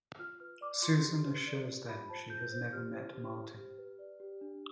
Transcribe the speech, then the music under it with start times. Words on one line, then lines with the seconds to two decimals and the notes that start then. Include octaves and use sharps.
Susan assures them she has never met Martin.
0.19 F4 F6
0.40 B4 F6
0.61 D5 D6
0.83 F4 C6
1.03 G4
1.26 B4
1.47 D5
1.68 G4
1.88 F4 B5
2.09 C5 A5
2.30 F4 G6
2.52 C5 G6
2.72 G4 F6
2.94 C5
3.14 G4
3.35 C5
3.57 G4
3.78 B4
3.99 D5
4.20 G4
4.41 D4